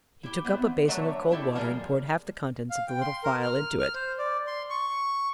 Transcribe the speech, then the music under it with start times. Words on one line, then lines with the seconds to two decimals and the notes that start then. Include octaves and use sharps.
He took up a basin of cold water, and poured half the contents of the little phial into it.
0.23 E4 G4
0.45 B3 C4 E5
0.88 D3 F#3 A3 A#4 C#5 E5
1.31 C4 E4 G4 A4 E5
1.55 F3 G3 G#3 A#3 G#4 A#4
2.70 F5
2.87 G5
3.01 C6
3.24 A#4
3.43 F6
3.80 F6
3.94 C5
4.18 D5
4.47 C6
4.70 C#6